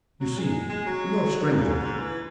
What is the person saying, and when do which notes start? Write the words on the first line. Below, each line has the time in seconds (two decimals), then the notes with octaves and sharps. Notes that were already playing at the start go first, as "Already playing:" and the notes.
"You see, we are strangers."
0.21 F#3
0.38 G#3
0.69 G#3
0.86 F#3
1.52 C#3
1.68 G#2
1.84 G#2
2.00 E3